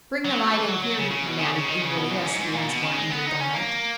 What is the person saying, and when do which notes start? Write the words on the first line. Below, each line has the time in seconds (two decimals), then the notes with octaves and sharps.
"Bring the light in here!" he commanded eagerly, as he once more entered the hut.
0.25 F#3
0.53 E3
0.68 F#3
0.82 F#3
0.96 C#3
1.10 C#3
1.25 B2
1.39 C#3
1.54 C#3
1.68 D#3
1.82 C#3
1.97 B2
2.11 F#2
2.25 G#2
2.40 G#2
2.54 A#2
2.69 B2
2.82 C#3
2.97 G#3
3.11 B3
3.27 D#4
3.40 C#4
3.54 A#3